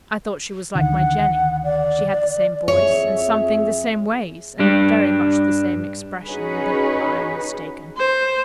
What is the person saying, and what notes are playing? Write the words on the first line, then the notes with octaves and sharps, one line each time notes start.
I thought she was like my Jenny. She had the same voice, and something the same ways, and very much the same expression; but I am mistaken.
D2 D3 D#3 F#5
D5
F2 G#4 C#5 E5
G2 G3 D4
C#4 D#4 F#4 G#4 B4 C#5
C5